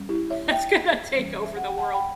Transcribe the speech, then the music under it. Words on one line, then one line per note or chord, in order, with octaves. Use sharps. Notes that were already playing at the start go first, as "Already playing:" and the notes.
It's gonna take over the world.
Already playing: G3 C#4
E4 G4
C#5 E5
E5 G5
E3 G3 C#4
E5
F#5
G5
F#5 A5
G5 B5